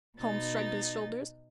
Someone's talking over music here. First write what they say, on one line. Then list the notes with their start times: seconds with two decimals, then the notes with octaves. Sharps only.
Holmes shrugged his shoulders.
0.18 B2 D#4 A6